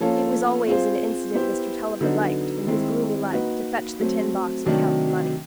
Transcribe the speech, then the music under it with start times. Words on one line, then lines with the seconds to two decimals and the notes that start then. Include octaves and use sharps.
It was always an incident Mr. Tulliver liked, in his gloomy life, to fetch the tin box and count the money.
0.01 F3 A#3 C#4 F4 A4
0.67 C4 F4 G#4 C5
1.34 B3 E4 G4 C5
2.01 D3 F#3 B3 D#4
2.67 D#3 G#3 C4 E4
3.33 A#3 D#4 F#4 B4
4.00 F#3 A3 C4
4.66 C3 D#3 F#3 A3 D4